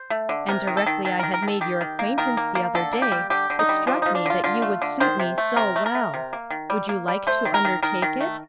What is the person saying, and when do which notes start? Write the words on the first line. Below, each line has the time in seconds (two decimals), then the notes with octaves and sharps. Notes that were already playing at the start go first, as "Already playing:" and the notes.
And directly I had made your acquaintance the other day it struck me that you would suit me so well. Would you like to undertake it?
Already playing: C5
0.10 A3
0.29 D3
0.48 C3 A#4
0.67 D#3
0.77 A4
0.86 D#3
1.05 D#3 A4
1.19 D#3 A#4
1.34 A#4
1.42 D#3
1.48 A4
1.61 D#3 G4
1.81 D#3
1.99 A#3
2.18 D#3 A#4
2.37 A#3
2.55 A#3
2.75 D3 A4
2.93 A#3
3.02 G4
3.12 G3
3.30 D3 G4
3.50 D3
3.59 D#4
3.69 G3
3.87 F3 D4
4.02 F3 D#4
4.15 D4
4.26 D3 F4
4.44 D3 F4
4.62 A3
4.82 D3
5.00 D#3 C5
5.20 C3
5.38 A3
5.56 C3 A#4
5.76 A3
5.86 A#4
5.95 A3
6.14 C3
6.33 A#3
6.50 D#3
6.70 G3
6.89 A#3
7.08 G3
7.27 A3 C5
7.45 D#3
7.54 A#4
7.65 D#3
7.83 D#3 A#4
8.02 D#3
8.20 A3